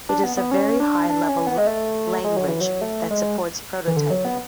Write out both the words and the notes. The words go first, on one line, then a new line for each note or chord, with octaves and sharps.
It is a very-high level language that supports prototyping.
D4
B3
B3
C#4
D4
D4
C#4
B3
G#3
A3
G#3
F#3
E3
F#3
A3
G#3
E3
D3
F#3
B3